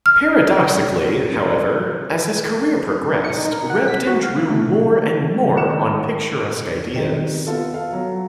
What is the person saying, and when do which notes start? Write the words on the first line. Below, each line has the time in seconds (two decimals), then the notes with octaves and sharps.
Paradoxically, however, as his career progressed Repton drew more and more on picturesque ideas.
0.06 F6
3.25 C#7
3.38 D#4
3.52 A#4
3.70 F#5
3.88 B6
4.07 F#4
4.23 F5
4.50 A3
5.56 D#3 C#7 E7
6.92 C3 D#3
7.47 B3 F4 A4
7.73 A4 F5
7.93 F#3